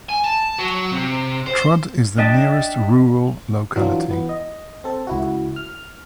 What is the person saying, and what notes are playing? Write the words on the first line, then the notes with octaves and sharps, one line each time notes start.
Trud is the nearest rural locality.
G#5
A5
F#3
C3
C5
D4 D#5 E5 G5 A5
E3 F#3 D4 F4
E3 B3
D#5
C4 A4
C#2 E4 F#4
F6